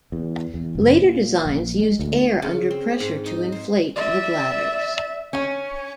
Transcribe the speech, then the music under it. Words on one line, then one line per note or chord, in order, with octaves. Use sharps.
Later designs used air under pressure to inflate the bladders.
E2
E2
F#1
A#2
A#1
G#3
D2
C#3
C4
G#2
D#4
C5
D5 E5
C#4